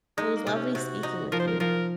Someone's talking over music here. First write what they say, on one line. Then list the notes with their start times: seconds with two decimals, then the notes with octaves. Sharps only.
Well, it was lovely speaking with you.
0.18 G#3 D#4
0.36 A#3
0.47 C3
0.55 C#4
0.74 C3 F#4
1.03 D#4
1.32 F3 A#4
1.39 C5
1.47 A#4
1.60 F3 A#4